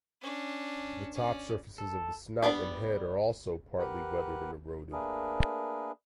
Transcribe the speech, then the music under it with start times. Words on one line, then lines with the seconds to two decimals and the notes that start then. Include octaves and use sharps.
The top surfaces of the snout and head are also partly weathered and eroded.
0.21 C#4 D4
1.14 C#4 D5
1.78 A4
2.42 G3 B3 D4 B4
3.78 G4 A#4 B4 F#5
4.92 A3 A#3 D4 G#4 A#4 B4